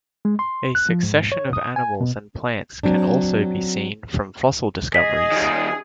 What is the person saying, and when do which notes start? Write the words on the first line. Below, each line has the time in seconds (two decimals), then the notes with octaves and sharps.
A succession of animals and plants can also be seen from fossil discoveries.
0.25 G#3
0.39 C6
0.75 F#6
0.89 F3
1.03 G#2
1.32 C#5
1.53 D#6
1.76 G#5
2.01 B2
2.83 F#3 C4 D4
4.94 G#4 D#5 B6
5.32 D#3 G3